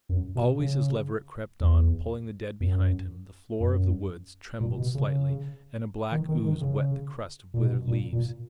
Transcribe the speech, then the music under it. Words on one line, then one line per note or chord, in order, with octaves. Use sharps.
Always, as Leverett crept on, pulling the dead behind him, the floor of the woods trembled slightly, and a black ooze wet the crust of withered leaves.
F#2
B2
C#3
E2
F#2
F#2
A#2
B2
C#3
D#3
D#3
D#3
C#3
A#2
B2
A#2
A#2